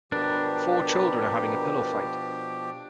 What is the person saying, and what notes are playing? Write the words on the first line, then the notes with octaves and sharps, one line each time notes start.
Four children are having a pillow fight.
B2 F3 D4 G4 A#4 B4